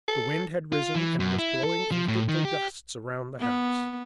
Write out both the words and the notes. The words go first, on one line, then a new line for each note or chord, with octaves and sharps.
The wind had risen, and was blowing in fitful gusts round the house.
A4
F4
E3
F#2
E4
A4
F3
A2
D#3
G4
B3